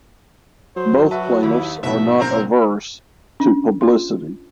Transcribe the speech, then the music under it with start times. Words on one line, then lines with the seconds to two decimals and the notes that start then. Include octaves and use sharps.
Both plaintiffs are not averse to publicity.
0.76 F#3 C5
1.11 F#4 B4 E5 A5
1.43 D#2 E4
1.83 A#1 G#2 B2 A3 E5
2.19 F#1 C4 A#4
3.40 C#4 D4
3.81 F4 C6